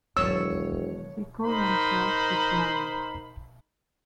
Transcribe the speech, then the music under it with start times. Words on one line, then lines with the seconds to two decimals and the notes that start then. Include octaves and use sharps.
They call themselves the Zara.
0.17 E1 D#3 F#3 C#5 E6
1.45 D#4 A#4 C5 B5